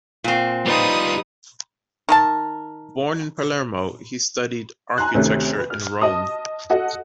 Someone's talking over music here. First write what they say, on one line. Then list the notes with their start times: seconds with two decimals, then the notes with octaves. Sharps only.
Born in Palermo, he studied architecture in Rome.
0.24 A#2 C4
0.66 G3 D#4 F4 B4 D#6
2.09 D#3 A#4 A5
4.98 G#5 A#5 C6 F#6
5.14 D2 C3 D#3 A3 C#4
5.58 B4
5.70 F6
6.02 D#5 A5 D#6
6.70 F#4 A4 D#5 F#5